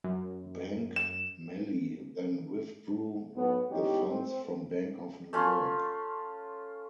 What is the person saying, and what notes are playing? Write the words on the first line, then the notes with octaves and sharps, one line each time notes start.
Bank Melli then withdrew the funds from Bank of New York.
F#2
E7
B1 A2 B3
E2 E3 G#3 C#4 D#4 G4
C4
A3 C#4 F4